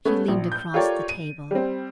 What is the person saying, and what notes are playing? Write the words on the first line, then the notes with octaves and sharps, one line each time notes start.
She leaned across the table.
A3 B3 C#4
A#1
G6
F4 G4 A4 A#4 C#5 D5
D#7
G3 C4